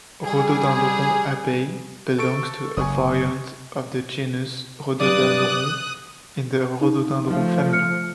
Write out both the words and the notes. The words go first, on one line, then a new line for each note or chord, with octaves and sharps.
Rhododendron haibei belongs to a variant of the genus rhododendron in the rhododendron family.
G3 G#4
A4 C#6 D7
F#1 G#5 C#6 D#6
G2 F#3 G4 D5 D#6 F#6
D#4
F3 A3
F6 C#7